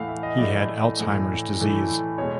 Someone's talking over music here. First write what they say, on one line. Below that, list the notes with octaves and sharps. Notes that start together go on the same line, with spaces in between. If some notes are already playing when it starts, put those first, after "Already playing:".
He had Alzheimer's disease.
Already playing: A2 E3 A3 F5 F#5
E5
D#5
A2 E3 A3 D5
A2 E3 A3
A2 E3 A3
B2 G#3 C#5